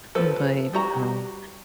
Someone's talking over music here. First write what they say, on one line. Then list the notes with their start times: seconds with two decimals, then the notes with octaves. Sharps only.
but, um,
0.15 F3 A4 B4 C5
0.73 G3 F#4 A#5